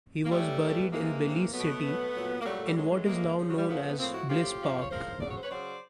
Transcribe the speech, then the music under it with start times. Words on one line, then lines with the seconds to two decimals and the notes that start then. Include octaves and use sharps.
He was buried in Belize City, in what is now known as Bliss Park.
0.24 A#3
0.31 A2 E3 G3 A3
0.61 A2 E3
0.81 B3
0.91 C3 E3 G#3 A#3
1.23 C3 E3
1.53 B2 F#3 A3 B3
1.84 B2 F#3
2.14 A#2 F#3
2.41 A#3
2.45 A#2 F#3 G3 A3
2.64 G3
2.76 A2 E3 F#3 G#3
2.90 F#3 G#3
3.06 A2 E3 G#3 A#3
3.36 C#3 F3
3.47 F#3
3.57 G3
3.68 C#3 F3 A3 B3
3.90 B3
3.98 A2 F3 A#3 C4
4.13 E4 F#4
4.29 A2 F3 F4 G4
4.59 C#3 F3
4.79 C#5
4.91 C#3 F3 A#4 C5
5.20 C#3 D5
5.25 F#3 C#5
5.36 C5
5.43 B4 C#5
5.51 C#3 F#3 C5 D5